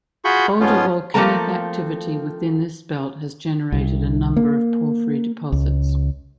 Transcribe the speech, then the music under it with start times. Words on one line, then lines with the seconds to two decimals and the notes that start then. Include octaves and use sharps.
Older volcanic activity within this belt has generated a number of porphyry deposits.
0.25 F4 F#4 G#4 B5 C#6 G6
0.60 G#2 F3 B3 C#4 F4
1.14 F3 A3 A#3 C4 A4 A#5
3.72 C2
4.37 A#3
5.52 C#2